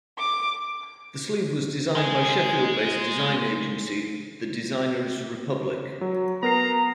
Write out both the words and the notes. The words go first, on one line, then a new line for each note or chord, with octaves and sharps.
The sleeve was designed by Sheffield-based design agency The Designers Republic.
D6
G#3 G#4
F#3
B3 A#4 A#5 C7